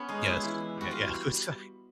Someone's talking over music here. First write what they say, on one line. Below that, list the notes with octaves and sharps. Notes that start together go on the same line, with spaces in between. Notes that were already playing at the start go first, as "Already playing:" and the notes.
Yes. Yeah, yeah. I'm sorry
Already playing: B3 C#4
G#3 D#4
E4 F4
E3 E4
G3 F#4
F4